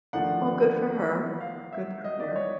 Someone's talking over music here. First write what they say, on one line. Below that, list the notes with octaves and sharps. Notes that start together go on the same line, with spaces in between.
Well, good for her. Good for her.
D#2 D3 F3 A3 D4 F#5
F5
E5
D#5
D5
C#5